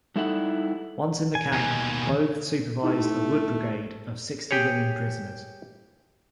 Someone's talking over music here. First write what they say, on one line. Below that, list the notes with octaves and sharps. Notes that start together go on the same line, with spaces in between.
Once in the camp Bothe supervised a wood brigade of sixty women prisoners.
G3 D#4 E4 A4 E5 F#5
G#5
D#2 B2
A3 D#4 E4 G4
G4 G#4 C#5